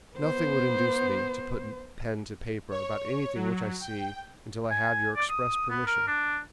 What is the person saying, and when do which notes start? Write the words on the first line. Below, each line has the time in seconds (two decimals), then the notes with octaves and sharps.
Nothing would induce me to put pen to paper about anything which I see until I have your express permission.
0.17 B3 C5
2.71 C#5
3.35 F#3
3.81 G5
4.70 G#5
5.16 D5
5.29 D#6
5.70 B3
5.87 A#4
6.07 D4